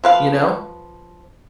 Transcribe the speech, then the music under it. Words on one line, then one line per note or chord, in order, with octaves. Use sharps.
You know?
F3 B4 F5